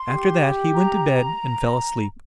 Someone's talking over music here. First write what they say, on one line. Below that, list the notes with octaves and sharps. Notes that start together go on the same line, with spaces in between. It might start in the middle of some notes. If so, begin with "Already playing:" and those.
After that he went to bed and fell asleep.
Already playing: C6
G4
A#5